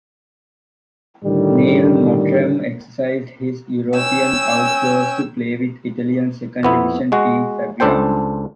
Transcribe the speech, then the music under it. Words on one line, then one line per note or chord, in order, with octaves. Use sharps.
Neil Mottram exercised his European out clause to play with Italian second-division team Fabriano.
A2 D3 D#3 G3
C#4 G5 G#5 E6
F2 B3 E4
G#3 F#4
C#2 D4 A4 C5 G5